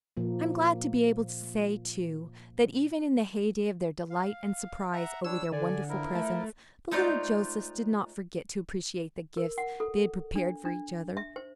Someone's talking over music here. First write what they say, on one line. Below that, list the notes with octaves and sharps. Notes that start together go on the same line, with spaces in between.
I'm glad to be able to say, too, that even in the heyday of their delight and surprise over their wonderful presents, the little Josephs did not forget to appreciate the gifts they had prepared for each other.
A#2 F3 A#3
F5
E5 F#5 A#5
G3 D4 C#5 E6
D3 D5 G#5
F3 E4 A#4
A3
G#3 A3 D#4 F4 C5 D5
A#4
F#5
A4
D4
D4
E5
C5